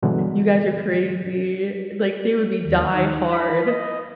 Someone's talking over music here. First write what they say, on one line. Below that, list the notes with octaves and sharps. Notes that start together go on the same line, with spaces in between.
you guys are crazy." Like, they would be die-hard,
G2 B2 D3 E3 F#3 G#3
D#2
D#3
B5
D#5